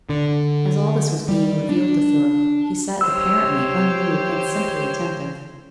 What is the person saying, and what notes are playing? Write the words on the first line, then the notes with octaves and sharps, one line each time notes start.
As all this was being revealed to Philip, he sat apparently unmoved and simply attentive.
D3
G3
D4
G4 C5 C#5 E6